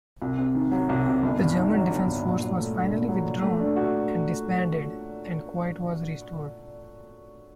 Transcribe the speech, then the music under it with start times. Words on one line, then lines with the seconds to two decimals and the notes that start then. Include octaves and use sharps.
The German defense force was finally withdrawn and disbanded and quiet was restored.
0.22 C2
0.38 C3
0.55 D#3
0.71 F#3
0.89 C2
1.06 C3
1.23 G1
1.39 G2
1.56 D#3
1.73 F#3
1.90 G1
2.07 G2
2.24 A#2
2.42 F#3
2.58 A3
2.75 D4
2.91 A#2
3.09 F#3
3.26 A#2
3.42 A3
3.60 D4
3.76 F#4